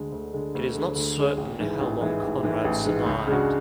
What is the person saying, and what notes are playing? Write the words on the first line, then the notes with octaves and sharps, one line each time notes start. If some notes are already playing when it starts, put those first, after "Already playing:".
It is not certain how long Conrad survived.
Already playing: D2 D3 G#3
D2
D3 G#3
D2
D3 G#3
D2
D3 G#3
A1
G#2 E3 G#3
A1
G#2 E3 G#3
A1
G#2 E3 G#3
A1
G#2 E3 G#3
C#2
C#3 G#3 D4 F#4